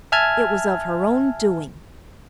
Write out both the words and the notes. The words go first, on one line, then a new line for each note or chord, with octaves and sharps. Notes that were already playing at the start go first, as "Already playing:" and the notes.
It was of her own doing.
E5 G#5 A5 F6 G#6